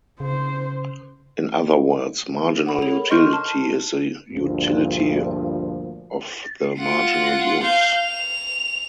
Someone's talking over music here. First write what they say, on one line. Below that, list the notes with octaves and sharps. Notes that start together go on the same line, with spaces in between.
In other words, marginal utility is the utility of the marginal use.
C#3 C5
F#5 B5
G#4 A4 C#5 B5 F7
A#4
D#5 C6 C#6 F6 G6
A5 F6
D2 G2 A#2 F3
F4 F#5
F5 G6
F7